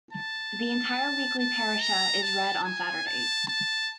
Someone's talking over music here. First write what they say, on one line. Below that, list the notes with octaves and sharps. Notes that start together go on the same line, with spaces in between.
The entire weekly parashah is read on Saturdays.
A5
A5
A#5
A5
G#5
A5
A5